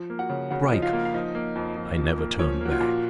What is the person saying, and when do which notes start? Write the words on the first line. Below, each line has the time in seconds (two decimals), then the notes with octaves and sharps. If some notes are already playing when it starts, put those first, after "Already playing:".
Strike!' I never turned back.
Already playing: F3
0.10 A#3
0.19 F#4 F#5
0.29 C#3
0.50 C#3 F#4 F#5
0.72 F3 D#5
0.82 F4 F5
0.93 A#3
1.05 F5
1.14 F3 D#4 D#5
1.35 A#3
1.55 F2
1.77 F2
1.98 F3
2.18 A#3
2.39 F3 C#4 C#5
2.61 A#3 F#4
2.71 F4
2.81 A#2